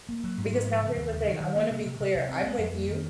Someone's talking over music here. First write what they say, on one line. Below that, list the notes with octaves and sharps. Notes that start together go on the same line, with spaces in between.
Because now here's the thing, I wanna be clear, I'm with you.
A#3
F#3
G#2
G#2
F3
C#3
D#2
C#3
D#3
D#3
A#3
C3
C3
C3
C2
C4
G#3
F2
A#3
D#3